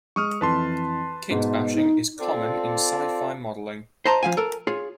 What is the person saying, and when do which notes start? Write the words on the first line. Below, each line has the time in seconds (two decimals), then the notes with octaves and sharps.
Kitbashing is common in sci-fi modeling.
0.16 G#3 C#6 D#6 F6
0.41 F2 E3 B4 A5 C6
1.31 G#2 B2
1.75 D#4
2.20 C4 F4 A4 D5
4.05 C5 D#5 A5 A#5 C6
4.23 F3 F5 G#5
4.37 A4 A#4
4.67 F4 G#4 C#5